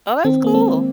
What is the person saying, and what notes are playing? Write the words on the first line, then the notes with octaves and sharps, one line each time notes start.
Oh, that's cool.
D#3 C4
A#3
G#3 C4